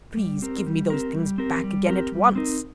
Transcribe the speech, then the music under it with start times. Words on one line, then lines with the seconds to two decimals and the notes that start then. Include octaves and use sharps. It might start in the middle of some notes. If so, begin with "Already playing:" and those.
"Please give me those things back again at once!"
0.17 G3
0.42 C4 G4 A#4
0.66 G3
0.90 C4 G4 A#4
1.14 G3
1.38 C4 G4 A#4
1.64 G3
1.87 C4 G4 A#4
2.12 G3
2.35 C4 D#4 A#4